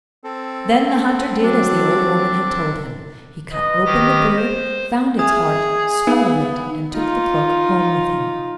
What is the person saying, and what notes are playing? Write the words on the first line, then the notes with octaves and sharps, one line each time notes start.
Then the Hunter did as the old woman had told him: he cut open the bird, found its heart, swallowed it, and took the cloak home with him.
C4 A4
F#3 D4
B4 D#5
D#3 G4 A#6
C5
G#4 E5 D#6 G#6
B3 D#4 F5
D#4 F4